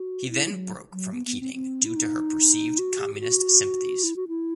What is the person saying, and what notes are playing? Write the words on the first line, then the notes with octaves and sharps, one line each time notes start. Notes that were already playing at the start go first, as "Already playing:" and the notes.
He then broke from Keating due to her perceived communist sympathies.
Already playing: F#4
E4
F#3
F#3
B3
B3
C4
C4
E4
D#4
F#4
G4
G4
F#4
E4
F#4
E4